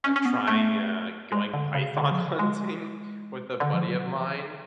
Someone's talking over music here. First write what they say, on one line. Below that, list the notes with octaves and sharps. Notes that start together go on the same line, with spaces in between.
uh, trying, uh, going python hunting with a buddy of mine
C#4
C#4
B3
A3
G#3
D3
C#3
D3
F#3
F3
G#3
D3
F3
F#3
D3
F3